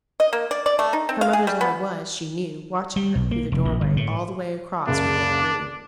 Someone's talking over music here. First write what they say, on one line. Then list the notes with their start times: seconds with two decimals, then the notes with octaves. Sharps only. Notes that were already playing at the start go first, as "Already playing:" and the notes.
Her mother's eye was, she knew, watching her through the door-way all the way across from the other room.
0.20 D#5
0.33 A#3
0.51 D5
0.66 D5
0.79 A3
0.93 D#4
1.09 C4
1.21 F5
1.33 G#4
1.47 G3
1.61 B3
2.96 G3
3.15 B1
3.31 A#3
3.52 F1
3.65 A#1
3.81 G1
3.97 A2
4.87 F#1 C#2 F#2 D4
5.39 D6